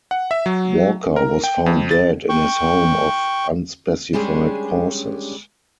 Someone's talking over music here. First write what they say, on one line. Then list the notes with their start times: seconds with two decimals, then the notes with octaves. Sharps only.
Walker was found dead in his home of unspecified causes.
0.11 F#5
0.31 E5
0.46 F#3
1.16 A#4
1.44 G5
1.66 F2
1.91 A6
2.29 G5 C#6
4.13 G3 G#3 C#4 D4 G4 G#4